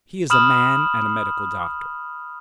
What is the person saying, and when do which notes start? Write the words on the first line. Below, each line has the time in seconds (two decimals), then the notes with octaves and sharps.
He is a man and a medical doctor.
0.30 B5 D#6 F6 E7 F#7